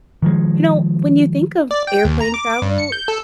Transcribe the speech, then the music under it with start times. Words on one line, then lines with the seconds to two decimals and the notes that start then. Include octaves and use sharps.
You know, when you think of airplane travel,
0.22 D#3 F3 G#3
1.71 D5
1.87 G5
2.05 D#2
2.20 A#5
2.34 D6
2.49 D6
2.62 G2
2.78 C#7
2.92 G6
3.08 A4